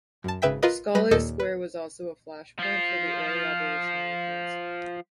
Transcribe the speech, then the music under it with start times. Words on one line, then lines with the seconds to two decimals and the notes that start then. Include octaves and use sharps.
Scollay Square was also a flashpoint for the early abolition movement.
0.24 F#2 A5
0.42 G#1 C#3 B4 E5 G5 B6
0.63 F4 A#4 B4 D#5
0.95 G3 B4 D#5 B5 A#6
1.11 D#2 A#2 A4 D#5 G6
1.40 B4
2.59 F3 F4